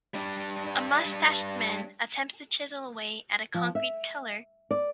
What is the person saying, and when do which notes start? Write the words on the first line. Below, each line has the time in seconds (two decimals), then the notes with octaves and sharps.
A mustached man attempts to chisel away at a concrete pillar.
0.14 G3 D4
3.54 F3
3.75 E5
4.71 D5